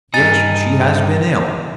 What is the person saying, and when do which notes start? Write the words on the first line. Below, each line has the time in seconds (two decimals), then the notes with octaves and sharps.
"Yes, she has been ill."
0.14 G2 D#4 G#5 A6